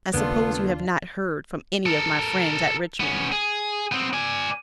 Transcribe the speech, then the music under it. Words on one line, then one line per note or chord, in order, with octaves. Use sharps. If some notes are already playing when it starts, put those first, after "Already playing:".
I suppose you have not heard from any of my friends at Richmond.
D#2 C#3 A#3 B3 C#4 D4 F4 A4
A4 A#4
B3 C#4
G#4
B3 C4
D5 G#5